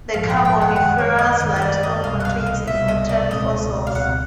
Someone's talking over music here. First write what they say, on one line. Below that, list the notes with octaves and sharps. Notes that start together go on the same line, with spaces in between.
The Carboniferous Limestone contains important fossils.
A#1 G#2 F3 F5
G5
G5
F#5
F#2 D#3 G#3 F#5
C#5
D#5
F#2 D#3 G#3 D#5
D#5
D5
D#5
C2 B2 G3 F5
F#5
F5
D#5
C2 B2 G3 E5
D#5
D5
C#2 B2 G#3 C4 D#5
F5
C#2 B2 G#3 C4 F#5